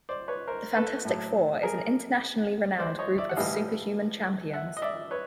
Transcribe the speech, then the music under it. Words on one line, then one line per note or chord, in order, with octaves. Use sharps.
The Fantastic Four is an internationally renowned group of superhuman champions.
C5 D5
B4 C#5
A#4 C5
A4 B4
A2 F#3
G#4 A#4
C5 D5
C#5 D#5
D5 E5
F#5
A2 E3 G3 D#5 F5
E5 F#5
D#5
D5 E5
B4 C#5